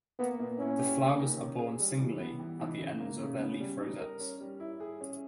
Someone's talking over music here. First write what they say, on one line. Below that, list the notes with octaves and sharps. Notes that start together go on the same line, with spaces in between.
The flowers are borne singly at the ends of the leaf rosettes.
A#3 B3
A#2
C#4 E4
G4
A#3
D#3
C#4
G#4
G3
E3
B3
E3
E3 D#4
C#3
A#3
C#3
B3 C#4
G3
D#4
A#4
C#4
G3
E4
G#4
C#4